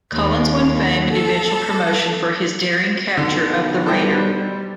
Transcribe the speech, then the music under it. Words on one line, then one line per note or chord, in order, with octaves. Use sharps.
Collins won fame and eventual promotion for his daring capture of the raider.
D#2
A4
B1 D3
G3 A4 C5 G5